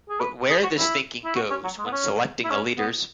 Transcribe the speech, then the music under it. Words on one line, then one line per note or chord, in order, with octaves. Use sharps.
But where this thinking goes when selecting the leaders.
G#4
B4
G#4
F#4
E4
E4
F#4
C#4
F#3
G#3
B3
C#4
E4
C#4
B3